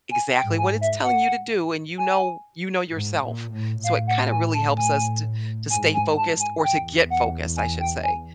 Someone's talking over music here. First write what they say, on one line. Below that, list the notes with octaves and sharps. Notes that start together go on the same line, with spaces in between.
exactly what it's telling you to do, and you know you know yourself. So it kind of really helps us to to stay focused or to get focused, I should say,
G#5
G5
G#2
G#5
E5
F#5
G#5
G#2
A#2
A2
A2 F5
F#5
G#5
A5
G#5
G#2 G#5
G#5
A5
G#5
E2 G5
F#5
G#5
G5
G#5